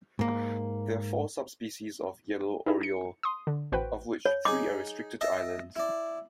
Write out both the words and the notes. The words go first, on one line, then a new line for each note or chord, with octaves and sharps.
There are four subspecies of yellow oriole, of which three are restricted to islands.
G#2 A#3
D#4 E4 G#4
C#7
C6 D#6
D3
A1 F#4 B4 C5 G5
C#5
D#4 G#4 D6
D#5 E5 A5
E4 D5